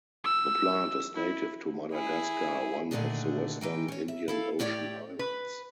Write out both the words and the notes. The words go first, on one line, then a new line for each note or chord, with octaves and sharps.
The plant is native to Madagascar, one of the western Indian Ocean islands.
E6
E4
E4 G#4
A#2 D3 D#3 A3 D4 G#4
E3 D#4 G5
C#4 C#5
E5
E4 A4 F5
A2 G4 C#5 D5 E5 G5
B4